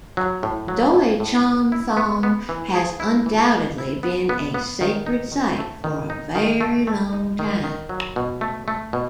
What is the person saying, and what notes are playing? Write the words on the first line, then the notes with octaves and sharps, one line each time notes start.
Doi Chom Thong has undoubtedly been a sacred site for a very long time.
F#3
A2
F#3
A2
A2
B3
E4
B3
B3
E3
G#4
E4
E3
E3
E4
B3
B3
B3
D#3
D#4
D#3
A3
D#3
D#4
D#3
A3
A3
D#4
D#3
D#3
F#3
B2
A3
A3
B2